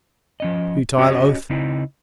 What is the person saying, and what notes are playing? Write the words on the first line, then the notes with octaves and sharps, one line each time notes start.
Futile oath!
F3 C#4 D#5
C#4 F#4 G4 B4 C#5 D#5
C#3 C4 D#4 E4